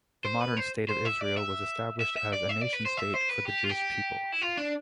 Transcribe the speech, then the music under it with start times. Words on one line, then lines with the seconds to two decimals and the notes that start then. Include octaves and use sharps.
The modern State of Israel was established as a nation-state for the Jewish people.
0.25 C5
0.41 B4
0.57 C5
0.89 C5
1.05 E5
1.21 D5
1.37 E5
2.01 E5
2.17 E5
2.33 D5
2.49 E5
2.61 D5
2.73 B4
2.86 C5
2.97 E5
3.14 C5
3.29 B4
3.45 G4
3.64 F4
3.69 G4
4.32 E4
4.42 F4
4.57 D4